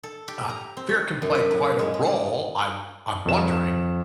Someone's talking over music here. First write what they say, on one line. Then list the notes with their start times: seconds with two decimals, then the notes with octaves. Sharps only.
uh, fear can play quite a role, I I'm wondering.
0.03 A4
0.28 G4
0.49 A#5
0.77 C4
0.89 C#5
1.22 F#2
1.35 B4
1.51 A2
1.79 G#3
1.94 G#3
2.06 D5
3.26 F2 E7